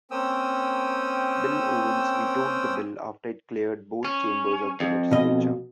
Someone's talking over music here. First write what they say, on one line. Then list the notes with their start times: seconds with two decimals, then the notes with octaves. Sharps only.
Bill Owens vetoed the bill after it cleared both chambers of the legislature.
0.11 A#3 C4 C#4 G5 D#6 E6
4.05 C#4
4.80 F2
5.11 B2 D#5